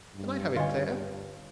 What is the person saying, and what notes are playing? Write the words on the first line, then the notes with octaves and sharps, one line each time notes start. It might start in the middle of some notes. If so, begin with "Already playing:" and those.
Can I have it, Claire?
G2
D3 F4 C#5 D#5 G#5